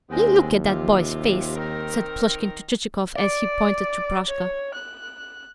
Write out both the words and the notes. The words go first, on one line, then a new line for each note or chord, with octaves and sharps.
"Look at that boy's face!" said Plushkin to Chichikov as he pointed to Proshka.
D#2 G#3 B3 C4
C3 F4
D#3 C4 A#4
D5
C#5
F#6